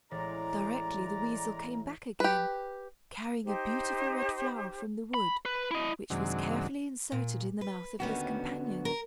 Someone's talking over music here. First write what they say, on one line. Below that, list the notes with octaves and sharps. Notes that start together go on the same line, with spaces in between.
Directly the weasel came back again, carrying a beautiful red flower from the wood, which was carefully inserted in the mouth of his companion.
A1 G#3 D5 A#5
G4 B4
D#4 G4 C5
B5
B4
E4 D#5
F#2 C3 D#3 F#3 G#3 D4
A#2
B4
D#2 D3 G3 B3 C#4 F#4
A#4